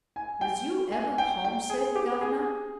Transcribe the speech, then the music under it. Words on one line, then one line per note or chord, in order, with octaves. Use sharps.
Was you ever homesick, governor?'
G#5
G5
G#5
G5
G5
G#4
G4
G#4